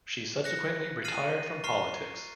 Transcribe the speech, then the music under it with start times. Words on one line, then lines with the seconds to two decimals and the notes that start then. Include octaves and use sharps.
She subsequently retired from politics.
0.44 F#6 A#6 C#7
1.04 F6 A6 C7 D#7 F#7
1.64 A#5 C#6 F6 C7